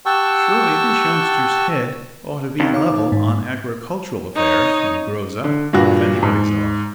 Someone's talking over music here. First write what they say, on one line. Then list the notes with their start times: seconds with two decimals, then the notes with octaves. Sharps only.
Surely, this youngster's head ought to be level on agricultural affairs, when he grows up, if anybody's ought.
0.06 G4 F#5 G5 A5 C#6 E6
2.60 D#2
2.74 C#5 F5 D6
3.12 G#2
4.35 D#4 C#5
5.44 D3
5.73 G2 A#2 F#4
6.23 G#2